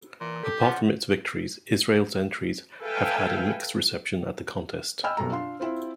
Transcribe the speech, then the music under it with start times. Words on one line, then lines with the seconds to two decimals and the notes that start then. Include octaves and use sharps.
Apart from its victories, Israel's entries have had a mixed reception at the contest.
0.21 A#2 E3
0.43 G4 A4
0.62 C#3 F3 F#5
2.80 A4 B4 E5 F5 G5 G#5
5.04 D#5 G5 G#5 B5 E6 F6
5.17 B1 F#2 B2 G3 A4 A#5
5.30 D4 F4 F5 C6
5.60 C4 E4 F4 C5